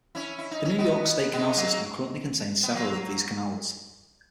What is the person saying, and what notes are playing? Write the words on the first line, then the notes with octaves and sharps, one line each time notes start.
The New York State Canal System currently contains several of these canals.
C#4 E4
E4
D#4
C#4
B3 D#4
G#3 B3
F#3 A#3
B3
F#3 A#3